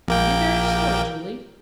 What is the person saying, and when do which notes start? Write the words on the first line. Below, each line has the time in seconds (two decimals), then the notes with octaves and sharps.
"Are you very sore, Julie?"
0.08 A#1 A#3 G5